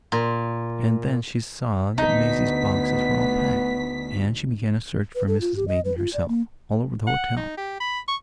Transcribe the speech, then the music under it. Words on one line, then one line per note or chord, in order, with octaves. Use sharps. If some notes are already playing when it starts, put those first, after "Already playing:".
And then she saw that Maisie's boxes were all packed, and she began a search for Mrs Maidan herself--all over the hotel.
A#2
D2 B3 D#4 B6
B4
A4
F4
G4
D#5
B4
F4
D5
A#3
F#5
D#4
G4
B5
C#6